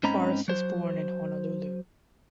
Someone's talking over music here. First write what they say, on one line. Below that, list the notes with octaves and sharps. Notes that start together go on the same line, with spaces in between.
Forest was born in Honolulu.
G#2 C4 C#4 D#5 A#5 B5
F#3 C5